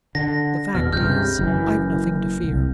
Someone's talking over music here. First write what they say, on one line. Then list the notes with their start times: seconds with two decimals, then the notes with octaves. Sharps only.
The fact is, I've nothing to fear.
0.15 D3 A#6
0.75 E2 B2 F6
0.93 C#2 G2 C3 F6 G6
1.39 F#1 F#2 E3
2.43 C2